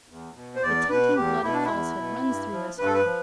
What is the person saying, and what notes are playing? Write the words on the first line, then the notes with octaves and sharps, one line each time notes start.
The tainting blood of falsehood runs through us all.
E2
B2
C5
E2 D5
B2 B4
E2 G4
B2 E4
D4
E4
E2
B2
G2
F3
G2 B4
A4
B4
F3